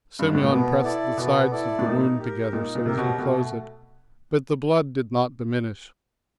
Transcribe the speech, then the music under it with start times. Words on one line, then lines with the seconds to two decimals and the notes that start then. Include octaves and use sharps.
Semyon pressed the sides of the wound together so as to close it, but the blood did not diminish.
0.19 G2
0.27 G#2
0.35 A2
0.43 A#2
0.49 B2 B3
0.83 E4 A4 D5
1.17 B2 B3
1.51 E4 A4 D5
1.79 A2
1.84 A#2 D#4
2.18 G4 A#4
2.52 A#2 D#4
2.75 A#2
2.86 C3 G4 A#4
2.98 B2
3.19 B2 A3